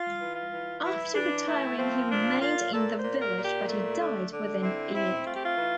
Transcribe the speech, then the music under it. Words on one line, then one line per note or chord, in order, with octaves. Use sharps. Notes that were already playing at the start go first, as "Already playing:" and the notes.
After retiring he remained in the village but he died within a year.
Already playing: F4
E3
F4
E3
E3 E4
E3 D4
A3 E4
F3 C4
A#2 D4
A#2 F4
A#2 A4
C5
A#2
A#4
A#2
G4
A3
D3
D3
C4 E4
C4 E4
A3 F4
G4
F4
E3